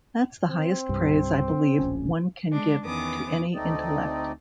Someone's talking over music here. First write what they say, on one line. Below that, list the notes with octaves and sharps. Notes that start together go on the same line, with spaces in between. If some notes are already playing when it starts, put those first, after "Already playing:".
That's the highest praise, I believe, one can give to any intellect.
C4
C2 G2
D1 A#1 C#4
G#3 D4
E2 D#3 B3 C#4 D6 D#6
D2 A3 C4 D#4 D5 D#5